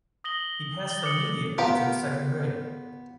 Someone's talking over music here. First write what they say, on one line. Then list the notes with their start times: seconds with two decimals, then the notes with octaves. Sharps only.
He passed immediately to the second grade.
0.24 D#6 A#6 F#7 G7
0.88 A6 F#7 G7
1.03 D6 D#6 C#7 F#7
1.58 B3 F4 G4 A#4